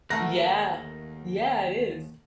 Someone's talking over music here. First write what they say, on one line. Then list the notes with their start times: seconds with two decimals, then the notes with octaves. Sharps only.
Yeah. Yeah, it is.
0.10 D#2 A3 A#4 F#5 A#6